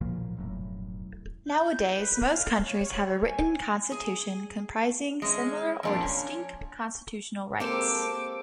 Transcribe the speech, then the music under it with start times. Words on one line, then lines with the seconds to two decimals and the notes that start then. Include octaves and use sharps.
Nowadays, most countries have a written constitution comprising similar or distinct constitutional rights.
0.01 B1 A#2 F3 A#3
0.37 E1 F#2 A2
1.49 G6
1.97 B4
2.30 F5
2.65 C#5
3.26 G#5
3.92 G#4
5.22 G#3 C#4
5.83 F2 A#2 D4
6.03 C#4
7.60 G#3 A#3 C4 G4 A4 C5 D6